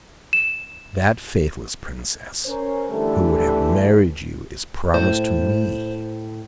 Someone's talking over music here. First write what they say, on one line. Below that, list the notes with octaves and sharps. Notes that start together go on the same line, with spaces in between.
That faithless Princess who would have married you is promised to me.
E7
C#4 A#4 C5
D3 E3 G3 A3
A2 C5